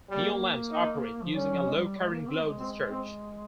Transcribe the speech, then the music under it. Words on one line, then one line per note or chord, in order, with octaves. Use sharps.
Neon lamps operate using a low current glow discharge.
G3 A#3
D#4
F3
G3 C#4
F3
G#3
G3
G#3
A#3
C4
G#3
G#3 C4
C4